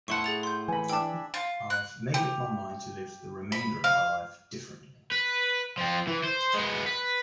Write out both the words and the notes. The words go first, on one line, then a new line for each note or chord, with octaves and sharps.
I've made up my mind to live the remainder of my life differently.
A2 E4 F#5 A5 C6 C#6
G#4 A6 F7
C6 G6
E3 G#5 B5
D4 E5 G5 A5
F4
F#6
G4
B5
F5
B4
F3 C4
E3
C5
G#3 B3
B4